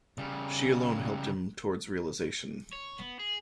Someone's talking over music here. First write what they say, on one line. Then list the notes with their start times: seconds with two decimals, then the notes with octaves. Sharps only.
She alone helped him towards realisation.
0.18 C#3 G3
2.73 C#5
2.98 B3
3.19 G#4